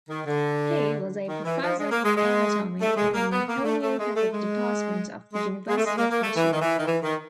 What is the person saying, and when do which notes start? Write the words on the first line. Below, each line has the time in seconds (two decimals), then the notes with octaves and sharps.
He was a Professor of Anatomy in homoeopathic department of the University of Michigan.
0.09 D#3
0.27 D3
1.28 D#3
1.45 E3
1.62 F3
1.79 G#3
1.91 A#3
2.04 G#3
2.16 G#3
2.81 A3
2.97 G#3
3.14 A#3
3.31 B3
3.48 A#3
3.64 A3
3.82 A3
3.99 G#3
4.16 A3
4.33 G#3
5.34 G#3
5.68 G#3
5.77 A3
5.85 G#3
5.97 A#3
6.10 A#3
6.22 A3
6.36 E3
6.52 D#3
6.61 E3
6.79 D#3
6.86 E3
7.03 D#3